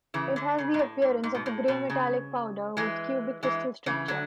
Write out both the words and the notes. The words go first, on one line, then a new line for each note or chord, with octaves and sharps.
It has the appearance of a gray metallic powder with cubic crystal structure.
C#3 E3
D3
C#3
G#2
A2
G#2
G#2
B2
A2
B2
C#3
E3 G#3
E3 G#3
C#3 E3
D3 F#3